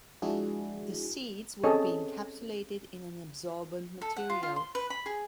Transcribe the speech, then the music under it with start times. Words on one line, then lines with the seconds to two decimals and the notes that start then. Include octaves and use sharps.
The seeds would be encapsulated in an absorbent material.
0.22 F3 G#3 D4 E4 F#4 G#4
1.64 C4 C#4 G#4 A4 C#5 D#5
4.01 A4
4.16 F#5
4.30 F4
4.43 F4
4.56 C6
4.75 B4
4.90 B5
5.06 G#4